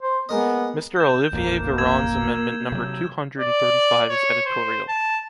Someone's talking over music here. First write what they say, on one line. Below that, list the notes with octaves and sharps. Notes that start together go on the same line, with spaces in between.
Mr. Olivier Véran’s amendment number two hundred and thirty-five is editorial.
C5
G#3 A#3 B3 D#5
G6 E7
D#1 A1 F2 A#3
E6 G#6 E7
C3 F#3
D5
C#5
C5
A5